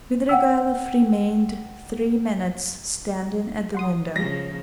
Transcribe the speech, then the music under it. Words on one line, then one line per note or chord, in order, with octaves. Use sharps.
Svidrigailov remained three minutes standing at the window.
F#5 G5 E6
F#5 C6 D#6
C#3 F3 G3 G#3 A#6